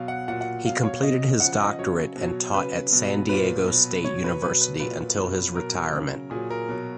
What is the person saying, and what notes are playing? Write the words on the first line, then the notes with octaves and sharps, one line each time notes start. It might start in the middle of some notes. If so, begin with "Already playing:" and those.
He completed his doctorate and taught at San Diego State University until his retirement.
Already playing: B2 F#3 F5
F#5
A#2 F#3 F#5
F#5
B2 F#3 F5
C#5
B2 F#3 D#5
C#3 F3 F#5
D#5
C#3 F#3 C#5
B2 F#3
C#3 F#3 B4
B2 F#3
A#2 F#3 B4
B2 F#3
B2 F#3 C#5
B4
B2 F#3 B4
B4
A#2 F#3 B4
B2 F#3
B2 F#3 A#4
C#3 F#3
A#2 F#3 G#4
A#4
B2 F#3